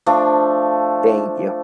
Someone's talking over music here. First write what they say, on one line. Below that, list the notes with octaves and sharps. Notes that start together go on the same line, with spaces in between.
Thank you.
F3 A3 D4